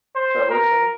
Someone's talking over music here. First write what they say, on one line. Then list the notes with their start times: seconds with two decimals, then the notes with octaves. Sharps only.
Sorry, what were you saying?
0.15 C5
0.51 A#4